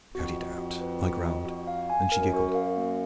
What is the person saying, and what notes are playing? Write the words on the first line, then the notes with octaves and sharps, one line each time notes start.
"Cut it out," I growled, and she giggled.
F2 F#4
D#5
F#4
B4
F#4
D#5
F#4
F5
G#5
F#2 A#4
F#4
F5
A#3